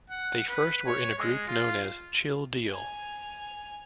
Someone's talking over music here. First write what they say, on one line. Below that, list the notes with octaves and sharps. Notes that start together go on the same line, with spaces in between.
They first were in a group known as Chill Deal.
F#5
B4
C#5
G#3
F4
G#5 F7